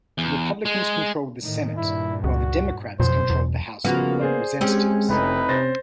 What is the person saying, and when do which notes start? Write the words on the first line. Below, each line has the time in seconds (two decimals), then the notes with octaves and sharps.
The Republicans controlled the Senate, while the Democrats controlled the House of Representatives.
0.18 E2
0.65 G#3
1.42 A2 D#3
1.77 G2 A#2 E4
2.24 C#2 F#4
3.00 F#1 F2 B2 C5
3.30 E2
3.85 C#3 F3 A#3 B3 F#4
4.19 G#4 C5 D5
4.61 G#3 C4 C#4 G4
5.09 F1 D#4 E4 B4
5.49 C3 C5 A6 A#6